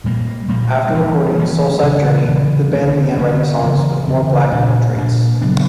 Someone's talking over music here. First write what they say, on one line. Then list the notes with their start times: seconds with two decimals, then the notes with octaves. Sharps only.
After recording "Soulside Journey", the band began writing songs with more black metal traits.
0.04 A#2 G3 A#3
0.48 A#2 G3 A#3
0.94 E3 G3 A#3 C#4
1.38 E3 G3 A#3 C#4
1.83 C#3 E3 G3
2.28 C#3 E3 G3
2.73 D3 A#3 C#4
3.17 D3 A#3 C#4
3.62 C#3 E3 A#3
4.07 C#3 E3 A#3
4.52 A#2 A#3 D4
4.96 A#2 A#3 D4
5.41 C#3 F#3 B3 D4